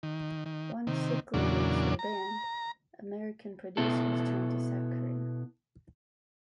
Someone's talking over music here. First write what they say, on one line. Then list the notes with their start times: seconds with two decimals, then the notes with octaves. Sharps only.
Once cyclamates were banned, American producers turned to saccharin.
0.03 D#3
0.46 D#3
0.87 C3 D#3
1.34 E2 A#2 C#3 F#3 D4
1.99 A#5
3.77 B2 B3 E4 A4